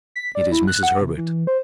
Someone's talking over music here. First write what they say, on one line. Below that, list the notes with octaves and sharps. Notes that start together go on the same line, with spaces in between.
"It is Mrs. Herbert."
B6
D5
E4
F#6
F#5
C3
E3
C5